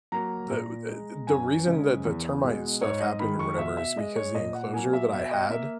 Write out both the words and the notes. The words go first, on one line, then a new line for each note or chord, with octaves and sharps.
The w the the reason that the termite stuff happened or whatever is because the enclosure that I had
F#3 A#3 A#5
A#2
G#3
F#2 G#5
C#3 G#3
E2
B2 G#3
G#2 C#5
D#5
D#3 G#3 B5
C#6
B2 E5
E5
G#3 D#5
C#5
A#2 D#5
F#5
F#3 A#3 G#5
E5
B2 E5
D#5
A#3 E5